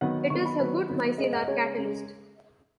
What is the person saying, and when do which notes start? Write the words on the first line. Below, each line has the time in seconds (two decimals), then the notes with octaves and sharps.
It is a good micellar catalyst.
0.01 D#3 F#3 B3 F#5
0.30 D#3 F#3 B3 C#6
0.45 B5
0.60 D#3 F#3 B3 B4
0.89 D#3 F#3 B3
1.18 C#3 G#3 C#4 D#5
1.33 F#5
1.40 D#5
1.48 C#3 G#3 C#4 C#5
1.77 C#3 G#3 C#4